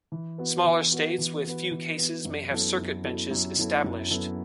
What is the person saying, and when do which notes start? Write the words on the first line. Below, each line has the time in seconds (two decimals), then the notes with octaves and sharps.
Smaller states with few cases may have circuit benches established.
0.12 E3
0.38 B3 F#4 B4
0.65 E3
0.92 B3 F#4 B4
1.18 E3
1.45 B3 F#4 B4
1.71 E3
1.98 B3 F#4 B4
2.25 F#2
2.51 F#3 B3 E4 A4
2.78 F#2
3.04 F#3 B3 E4 A4
3.31 F#2
3.58 F#3 B3 E4 A4
3.84 F#2
4.11 F#3 B3 E4 A4